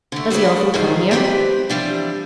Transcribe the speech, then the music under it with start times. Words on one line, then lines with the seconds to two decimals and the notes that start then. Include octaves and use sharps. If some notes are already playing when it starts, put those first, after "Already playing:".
"Does he often come here?"
0.12 D3 A3
0.30 F#4 G#4 A4 B4 D5
0.74 G#2 D#3 D#4 G#4 F5
1.11 C4 E4 G4 A#4 B4 D5
1.70 E3 F3 G3 D4